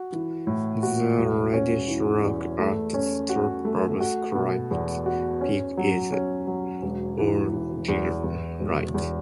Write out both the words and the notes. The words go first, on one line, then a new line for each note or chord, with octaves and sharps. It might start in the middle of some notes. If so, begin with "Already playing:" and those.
The reddish rock at the top of Crypt Peak is argillite.
Already playing: F#4
E3
A2
F#4
E1
C#4
E3
E2
A3
C#4
F#4
A3
F#4
B2
E2
F#4
C#4
F#3
C#4
F#3
E1
E3
E3
E2
E2
E1
E2